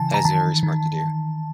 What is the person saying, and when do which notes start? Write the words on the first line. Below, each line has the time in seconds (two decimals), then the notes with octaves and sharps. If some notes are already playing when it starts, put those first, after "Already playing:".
That is very smart to do.
Already playing: C#3 E3 G#5 A5
0.14 A#5
0.25 D#3 A5
0.63 D#3